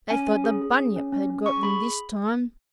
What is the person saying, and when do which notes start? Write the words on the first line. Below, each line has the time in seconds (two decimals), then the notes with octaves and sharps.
They thought the Bunyip had got them this time.
0.10 C#4 G#5
0.28 C#4
0.44 G#4
0.62 G#4
0.79 C#4
0.96 C#4
1.12 C#4
1.30 C#4
1.46 G#4 C#6
1.63 G#4 B5